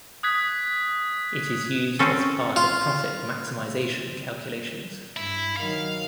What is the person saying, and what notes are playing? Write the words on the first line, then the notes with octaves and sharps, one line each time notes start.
It is used as part of profit maximization calculations.
D#6 F#6 G#6 B6
C4 C#4 A4
F4
G2 E4
D#3 F#3 F5